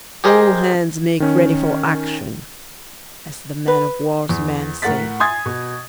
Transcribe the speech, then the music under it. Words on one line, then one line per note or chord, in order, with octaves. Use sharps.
"All hands make ready for action!" as the men-of-war's men say.
G4 G#4 A#4 C5 D#5 G5
D#3 C#4
B4
E2
A2 A#4 F#5 A6 B6
G#5 C6 D#6 G#6 A6
B2